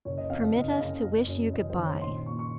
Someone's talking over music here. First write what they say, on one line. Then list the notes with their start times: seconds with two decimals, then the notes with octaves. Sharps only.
Permit us to wish you good-by.
0.05 F#1 C#5
0.18 D#5
0.30 F2 F5
0.42 D#5
0.55 F#1 D#5
0.71 D#5
0.80 C#3
1.04 F#1
1.28 F#2
1.53 F#1 D#5
1.70 C5
1.78 D#3
1.86 C#5
2.02 A#1 C6
2.26 A#2 C#6
2.39 C#6